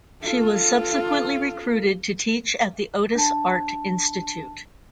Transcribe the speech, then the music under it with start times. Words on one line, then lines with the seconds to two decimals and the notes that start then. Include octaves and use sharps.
She was subsequently recruited to teach at the Otis Art Institute.
0.23 F4 A4
3.15 D4 A5